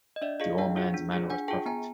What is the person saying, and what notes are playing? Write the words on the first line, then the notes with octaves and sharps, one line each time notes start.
The old man’s manner was perfect.
D#5
D4 D5 E5
F4 G#4 D#5 F5
D4 F5 G5
F4 G#4
D4
F4 G#4
D4 F#5 G#5
F4 G#4 G5 A5
B3 G#5 A#5